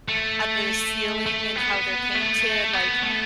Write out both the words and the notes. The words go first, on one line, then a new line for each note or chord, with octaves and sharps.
at the ceiling and how they're painted, like,
A3
A3
B3
A3
B3
A3